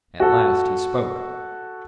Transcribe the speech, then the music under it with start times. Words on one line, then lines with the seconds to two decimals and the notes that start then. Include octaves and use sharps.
At last he spoke.
0.20 F#4 A4